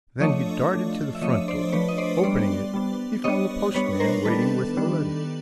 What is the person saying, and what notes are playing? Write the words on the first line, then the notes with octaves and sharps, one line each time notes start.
Then he darted to the front door. Opening it, he found the postman waiting with a letter.
F3 A3 D4 C#5 D#5
F3 A3 D4
E5
F3 A3 D4 C#5 D#5
C5 D5
F3 A3 D4 B4 C#5
D#5
C5 D5
C#5
G3 B3 D4 C5 D5
G3 B3 D4
G3 B3 D4 C#5 D#5
G3 B3 D4 B4 C#5
A#4 C5
D#3 G3 B3 D4 A4 B4
D#3 G3 B3 D4